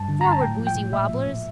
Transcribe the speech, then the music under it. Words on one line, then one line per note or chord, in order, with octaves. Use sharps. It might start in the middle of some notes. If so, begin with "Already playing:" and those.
Forward, woozy wobblers!
Already playing: G2 A5
D3
G2 A#5
A5
A2 G5
F3
G5
A2
A#2 E5
F3
A#2